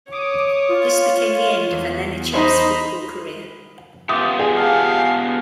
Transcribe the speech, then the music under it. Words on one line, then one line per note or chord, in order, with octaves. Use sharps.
This became the end of Alenichev's football career.
C#5 D6 D#6
F4
E2
D#4 C5 D#5 B5
B3 F4 G4 E5 C6 D6 D#6
G#4
F5 G#5 A5 D#6